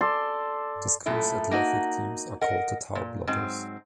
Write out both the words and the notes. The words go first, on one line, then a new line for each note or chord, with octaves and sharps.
The school's athletic teams are called the Tarblooders.
A4 D5 C6
F#2 A#2 A3 E4
A#3 D#4 F#4
A#4 D#5 F#5
A#2
G#2 F#3 C4